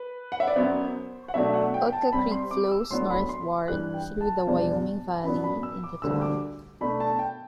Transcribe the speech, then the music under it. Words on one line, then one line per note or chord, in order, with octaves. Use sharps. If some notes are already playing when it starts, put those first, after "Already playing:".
Oatka Creek flows northward through the Wyoming Valley in the town.
Already playing: B4
F#5
E5
D5
F#2 F#3 B3 C5
F#5
B2 F#3 A3 D4 E5
F#5
G5
G5
A5
C3 G3 C4 B5
C6
D6
E6
A2 F#3 B3 D4 C6
B5
C6
G2 E3 G3 F#6
G5
A5
E2 B2 G3 D4 A5
F#2 F#3 B3 D4 B5
B5
E6
D6
D2 D3 G3 E6
D6
B2 A3 D4 B5
A5
G5